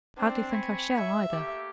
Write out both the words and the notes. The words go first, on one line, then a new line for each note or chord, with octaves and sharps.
Hardly think I shall, either.
C4 D4
G#5 B5 C#6
E5
A3 A#3 G4